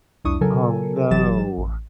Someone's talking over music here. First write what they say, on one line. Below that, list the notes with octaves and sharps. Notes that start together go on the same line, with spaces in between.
Oh, no.
C2 F2 D4 E4 C#6 D#6
C#3 F#3 A4 A#4 G#5
G1 E3 F#3 G4 A6 E7
A1